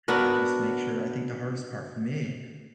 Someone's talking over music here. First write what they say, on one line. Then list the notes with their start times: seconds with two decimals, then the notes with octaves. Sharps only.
uh, just make sure I think the hardest part for me
0.08 B3 D4 F#4 A#4